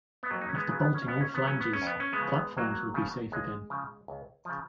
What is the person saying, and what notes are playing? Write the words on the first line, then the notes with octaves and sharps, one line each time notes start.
After bolting all flanges the platforms would be safe again.
B3
F2 F#3 A#3
D#4
C#4
G#3 B3
C#3 F#3
B3
C#4
F2 B3
C#4
B3
C#3 F#3 C#4
B3
C#4
F2
B3
C#4
G#3 B3
C#3 F3
F2 F#3 A#3
C#3 F3
C#2 G#3
C#3 F3
C#2
C#3 F3